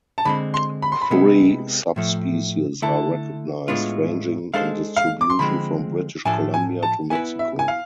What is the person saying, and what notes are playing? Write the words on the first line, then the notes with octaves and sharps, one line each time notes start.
Three subspecies are recognized, ranging in distribution from British Columbia to Mexico.
A5
D3 G#3 C4 B5
C6
B5
C6
B5
C3 G#3 B3
A2 F3 A3
D3 A3 E4 A5
A2 G#3 B3 D4 F4
G#3 D4 A4 C5 F5
F5
D6
C6
D3 F3 G#3 C4 B5
A2 F3 A3 D4 A4 G#5
G#5
A5
B3 E4 B4 G#5
E5
G#5
F5